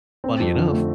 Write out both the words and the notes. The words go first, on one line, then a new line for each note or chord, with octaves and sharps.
funny enough
C4
F2
D3
A3